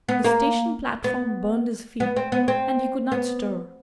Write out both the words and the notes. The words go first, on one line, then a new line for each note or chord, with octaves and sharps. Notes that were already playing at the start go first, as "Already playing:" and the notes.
The station platform burned his feet, and he could not stir.
B3
A#3
B3
B3
C4
B3
C4
B3